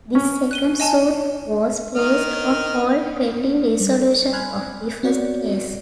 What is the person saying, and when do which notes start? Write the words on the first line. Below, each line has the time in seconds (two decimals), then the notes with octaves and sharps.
This second suit was placed on hold pending resolution of the first case.
0.15 C#4
0.51 F#6 D#7 G7
0.80 D#5 G#5 A5
1.96 D#3 D#5 F6
3.80 G3
4.33 G#5 B5 C6 F6 F#6 G#6
5.03 B3 C4 F#4 C#5 D5